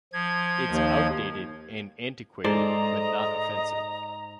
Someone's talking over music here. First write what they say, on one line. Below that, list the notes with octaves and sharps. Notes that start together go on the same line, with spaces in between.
It's outdated and antiquated but not offensive.
F3 G#6
D#2
G#2 A4 C5 D5 D#5 A#5